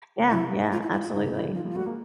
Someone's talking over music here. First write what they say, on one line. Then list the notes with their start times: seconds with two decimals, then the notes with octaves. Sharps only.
Yeah, yeah, absolutely.
0.19 C#3
0.30 C3 E4
0.72 F4
0.82 E4
0.92 E4
1.03 F4
1.14 C#3 D#4
1.23 C3
1.34 C#3 E4
1.44 D3 E3
1.55 D#3 F3 F4
1.65 F3 G3
1.70 F4
1.76 G3 A3 F#4
1.86 G#3 A#3